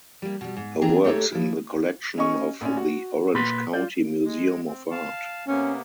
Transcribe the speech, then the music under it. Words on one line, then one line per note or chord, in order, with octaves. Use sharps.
Her work is in the collection of the Orange County Museum of Art.
G3 A#3
B2 G3
G#2
E3 B3 C4 D4 G#4 A#5
A3 D#4 G4 A4 C#5
F3 E4
C#4 D#5 C#6
A#1 C#4
F#4 F#5
A#2 B4 C6
F4 D5 G6
G#3
C4
F5 A5
C3 A#3 B3 C#4